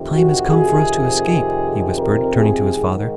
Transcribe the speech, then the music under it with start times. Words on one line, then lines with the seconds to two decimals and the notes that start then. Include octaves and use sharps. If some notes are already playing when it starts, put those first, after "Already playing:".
"The time has come for us to escape," he whispered, turning to his father.
Already playing: F2 C3 D#3
0.13 F#4
0.50 G#4
1.98 A#4
2.36 G#4
2.73 G#2 D#3